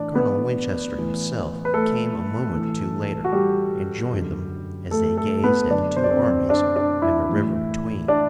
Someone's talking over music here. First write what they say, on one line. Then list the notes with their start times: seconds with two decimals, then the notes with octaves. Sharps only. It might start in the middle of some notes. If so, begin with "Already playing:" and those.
Colonel Winchester himself came a moment or two later and joined them as they gazed at the two armies and the river between.
Already playing: A2 E3 D4 D5
0.15 B3 B4
0.94 A2 E3
1.65 B4
1.74 A3 A4
2.53 A2 E3
3.24 F#4
3.32 G3 G4
4.12 F#2 D3
4.91 A3 A4
5.17 A3 A4
5.44 B3 B4
5.70 F#2 D3 D4 D5
5.97 C5
6.04 D5
6.11 C4 C5
6.23 C4 C5
6.49 D4 D5
6.76 D4 D5
7.02 E4 E5
7.29 A2 E3
8.08 D4 D5